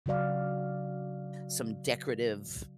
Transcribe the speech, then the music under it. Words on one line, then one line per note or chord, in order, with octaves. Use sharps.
some decorative
C#3 F#3 F#4 D5 F5